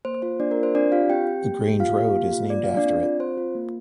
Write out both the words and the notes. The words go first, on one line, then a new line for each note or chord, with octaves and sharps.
The "Grange Road" is named after it.
A#3 C5
F4 C5
A#3 D4 D5
A#4
F4
C5
C4 D4 D5
F4 G4 F5
C4 G4 G5
G4
A#3
G4
A#3 F4 F5
G4
A#3
F4
A#3 D5
F4 F5
D4 D5
C4
F4
C4 C5
F4
A#3